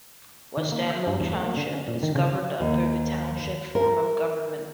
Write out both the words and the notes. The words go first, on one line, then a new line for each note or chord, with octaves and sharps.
West Amwell Township is governed under the Township form of government.
D#3
A#3
E5
G2
E2
A3
A#3
D3
C#4
A#2
D#3
C#3
D#2
A#4